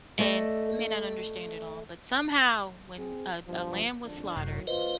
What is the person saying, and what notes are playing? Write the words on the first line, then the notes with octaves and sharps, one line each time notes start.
And, you may not understand it all, but somehow when a a lamb was slaughtered,
A3 A4 D5 D#5
C4 G#4
G2 B2 F3
G#1 F2 D4
F#1 F#2 A2 C3 F#3
D2 F4 B4 C5 D#5